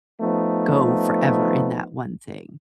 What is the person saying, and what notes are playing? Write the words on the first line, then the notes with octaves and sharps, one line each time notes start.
go forever in that one thing,
F3 A3 B3 D#4